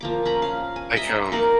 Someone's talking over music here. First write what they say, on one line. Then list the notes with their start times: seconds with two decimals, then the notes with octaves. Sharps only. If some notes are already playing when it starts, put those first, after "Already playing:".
Like, um,
0.01 F3 A#3 D6
0.25 C#4 A#5 B5
0.42 F5
0.76 G#5
0.96 D#5 E5 G#5 A#5
1.32 A#3 D#4 A#4 D5